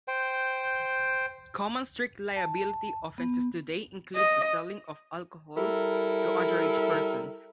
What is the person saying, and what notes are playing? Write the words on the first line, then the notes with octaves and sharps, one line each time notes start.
Common strict liability offenses today include the selling of alcohol to underage persons.
C5 G5
A5
B3
D#5
G3 E4 A4 A#4